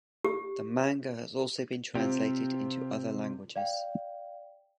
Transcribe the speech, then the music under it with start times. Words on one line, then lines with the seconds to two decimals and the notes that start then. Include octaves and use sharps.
The manga has also been translated into other languages.
0.25 G4
1.95 C3 C4 F4 G4
3.56 D5 F5 G5